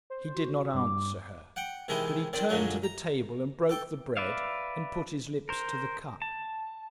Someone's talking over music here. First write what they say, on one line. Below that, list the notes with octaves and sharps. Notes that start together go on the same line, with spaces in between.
He did not answer her, but he turned to the table and broke the bread, and put his lips to the cup.
C5
F#4
G2 D6
F#5 G5
C3 D#3 E3 G#3 E4
D#3 C4 D5
F#2 A#2 D3 F#3 G#3
A#5
A4 G5
B4 D5 E5 F5
A#4 C5
A5